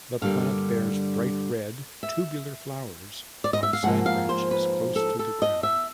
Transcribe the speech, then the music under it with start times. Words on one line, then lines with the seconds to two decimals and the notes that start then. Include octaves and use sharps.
The plant bears bright red, tubular flowers on side branches close to the ground.
0.22 G2 D3 G3 A#3 F5
2.03 E5
3.44 D5
3.53 D#5
3.63 E5
3.73 F5
3.83 G#2 F3 A#3 F#5
4.06 F5
4.29 C5
4.51 B4
4.96 A4
5.19 A4
5.42 D#5
5.63 E5